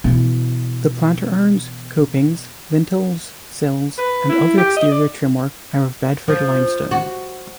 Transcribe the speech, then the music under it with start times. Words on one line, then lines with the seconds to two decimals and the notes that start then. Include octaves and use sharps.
The planter urns, copings, lintels, sills and other exterior trimwork are of Bedford limestone.
0.04 B2 E3
3.98 B4
4.29 E4
4.58 G4
4.77 D#5
4.92 D5
6.28 F3
6.91 F#4